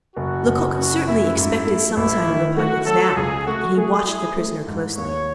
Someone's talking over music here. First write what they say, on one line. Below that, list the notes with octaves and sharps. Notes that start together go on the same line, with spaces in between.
Lecoq certainly expected some sign of repugnance now, and he watched the prisoner closely.
F#1 F#4
F#1
F#2 F#4
F#2 E4
G#2 E4
A3
A1 E4
D#3
A3 F#4
F#3 A4
C#2 G#4
A3 F#4
A3 G#4
E4 G#4
A3
G#2
D#2 C#5